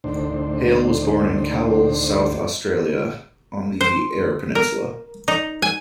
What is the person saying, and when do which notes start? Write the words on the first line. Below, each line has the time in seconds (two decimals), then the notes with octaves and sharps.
Hale was born in Cowell, South Australia on the Eyre Peninsula.
0.04 D2 A2 D#3 D4 C5
3.81 C5
4.55 A#4
5.28 D#4
5.62 G#5